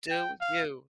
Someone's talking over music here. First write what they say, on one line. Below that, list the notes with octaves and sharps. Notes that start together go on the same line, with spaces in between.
do you.
G5
F5